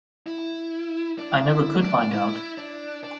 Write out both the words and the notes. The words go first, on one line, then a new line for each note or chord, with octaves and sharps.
I never could find out.
E4
D4
E4
D4
E4
D4
D4